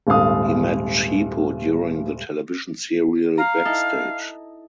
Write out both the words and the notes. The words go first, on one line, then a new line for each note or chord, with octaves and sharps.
He met Tshepo during the television serial "Backstage".
D#1 G#1 A4 F5 D#6
F5 A#5
D#4 E4 A4